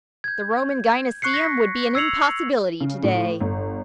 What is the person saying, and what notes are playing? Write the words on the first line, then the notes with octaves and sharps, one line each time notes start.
The Roman Gynaeceum would be an impossibility to-day.
G6 G#6
C#6 F#6 C7 C#7
A#6 B6
E6 G#6 C7 C#7 F7 F#7
C#3
A2
G1